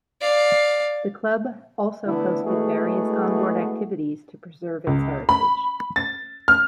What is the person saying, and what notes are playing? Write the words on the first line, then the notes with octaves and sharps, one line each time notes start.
The Club also hosted various onboard activities to preserve its heritage.
D5 F5
D3 E3 A3 B3 E4
G#3 A3 B3 E4 F#4 G#4
C#2
B5
A6
F6